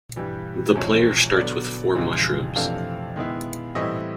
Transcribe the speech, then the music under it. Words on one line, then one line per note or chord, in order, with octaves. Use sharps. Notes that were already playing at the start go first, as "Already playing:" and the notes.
The player starts with four Mushrooms.
G2 E3 G3
E2 C3 F3 G#3 C#4
D3 F#3 B3 D5
F2 C#3 E3 G#3
F2 C3 E3 A3 D4 F5
D#3 G#3 B3 E4
A2 E3 G3 C4 E4 D#5